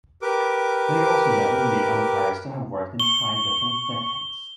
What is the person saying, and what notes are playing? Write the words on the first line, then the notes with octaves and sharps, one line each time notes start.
They are also the only umpires to have worked in five different decades.
G4 A#4 B4 D6
C#6 G7